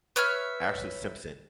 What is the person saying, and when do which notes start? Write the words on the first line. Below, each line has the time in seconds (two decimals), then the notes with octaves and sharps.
Ashley Simpson.
0.16 B4 C#5 E5 F6